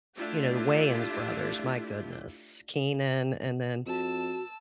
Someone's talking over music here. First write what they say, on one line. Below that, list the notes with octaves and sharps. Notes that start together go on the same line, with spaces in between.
you know, the Wayans brothers, my goodness. Keenan and then,
A3 D4 E4 F4 G4
F2 F#4 A5 E6